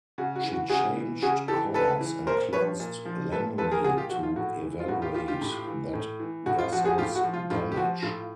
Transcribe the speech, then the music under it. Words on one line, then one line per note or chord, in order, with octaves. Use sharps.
She changed course and closed "Langley" to evaluate that vessel's damage.
C#3 F#4
F#4
E3
F#4
C#3 F#4 G#4
E3
C#3 F#4 G#4
E3 G4 A4
C#3 A4 B4
E3
A#2 A#4 C5
F3 B4 C#5
A#2
F3
A#2 A4 B4
F3 A4 B4
G#4 A#4
A#2 F#4 G#4
F4 G4
F3 F#4
F4
A2 F#4
E3
F4
A2 F#4
F4 G4
E3 F4 G4
F4 G4
A2
E3
A2
E3
A2 F#4
F4
F3 F#4
F#4 G#4
A2 F4 G4
F#4
F3
F4
A2 F4
G4
F3 F#4
A2 F4